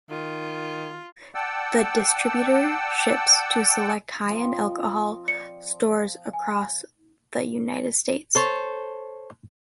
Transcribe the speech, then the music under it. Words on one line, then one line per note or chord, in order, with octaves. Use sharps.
The distributor ships to select high end alcohol stores across the United States.
D#3 F4
D5 F#5 G5 A5 E6
F3 C4 D#5
D5 C#7
G#5
A4 C5 C#5